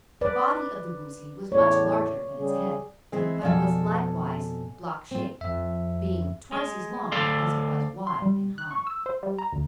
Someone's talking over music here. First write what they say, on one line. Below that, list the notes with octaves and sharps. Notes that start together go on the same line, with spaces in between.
The body of the Woozy was much larger than its head, but was likewise block-shaped--being twice as long as it was wide and high.
B4 D5
E2 A2 C#5 D5
C#3 G3 G#4
E3 G#3 C4 E4
F2 B2 A4 D5 F5 G#5
C4 F4
F2 E5
G#3
D2 A4 D5 F5 C6
C6
G3
F#6
C#6
E6
C5
G3
A#5
D2